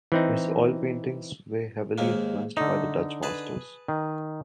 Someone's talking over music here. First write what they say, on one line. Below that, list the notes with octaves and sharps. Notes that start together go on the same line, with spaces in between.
His oil paintings were heavily influenced by the Dutch Masters.
E3 C4 D#4
D#2 G#2 A#3
D3 A3 D#4
G#4 B4 A5
D#3